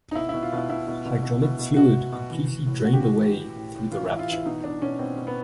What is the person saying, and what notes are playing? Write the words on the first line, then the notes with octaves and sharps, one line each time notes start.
Hydraulic fluid completely drained away through the rupture.
D#4
B2 E4
B2 E4
F4
B2 E4
B2 E4
B2
B2
B2
B2
B2
B2 F#4
B2
B2
E3
E3
A2
A2 F#4
G4
E3 F#4
E3
E3
A2
A2
E3 F4
E3 E4
F4
E3 E4
B2 D#4
B2 D4
B2 C#4
B2 C4
B2
B3